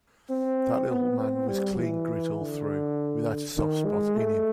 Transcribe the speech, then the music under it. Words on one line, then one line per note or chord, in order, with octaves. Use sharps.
That little man was clean grit all through, without a soft spot in him.
C4
B3
C4
G3
E3
D3
D#3
G#3
A3